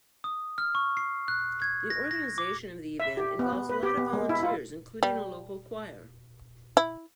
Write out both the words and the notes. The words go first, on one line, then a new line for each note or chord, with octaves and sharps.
The organization of the event involves a lot of volunteers, including a local choir.
D#6
F6
C#6
C7
F#6
G#6
A#6
A#6
D6
E5
G4
B3
B3
B4
G4
B3
G#3
E4
F4
G3
E4